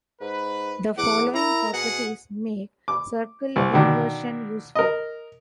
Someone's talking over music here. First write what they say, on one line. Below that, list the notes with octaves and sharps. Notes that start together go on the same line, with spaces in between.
The following properties make circle inversion useful.
G#2 B4
E2 F#5 D6
E4 A#4 A#5
B2 G#4 F#5
D6
C2
B2 D3 D#3
A#4 D#5